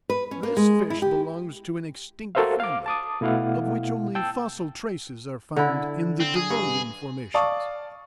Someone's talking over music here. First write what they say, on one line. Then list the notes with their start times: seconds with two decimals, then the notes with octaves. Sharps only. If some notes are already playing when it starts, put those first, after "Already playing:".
"This fish belongs to an extinct family, of which only fossil traces are found in the devonian formations."
0.10 B4
0.31 C#4
0.43 A#3
0.57 G#3
0.90 E4
1.02 G4
2.35 F#4 A4 A#4 C5 E5 F5
2.60 F5 D6
2.86 A5 D6 D#6
3.21 B2 A3 E4 F5 F#5
4.15 G5 A5 E6
5.56 D3 E4
6.20 C4
6.35 G#4
6.50 G2
7.34 D5 F5 A5 C#6 D#6